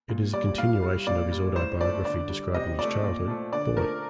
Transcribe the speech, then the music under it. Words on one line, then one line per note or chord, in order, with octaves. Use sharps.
It is a continuation of his autobiography describing his childhood, "Boy".
A#2
G3 D5
A2 F5
G3
A#2 D5
G3
A2 C5
F3 A3 D5
D3 D5
G3
C3 D#5
F3 A3 D5
A#2
F3 A3
D3 D5
F3 A3 A#4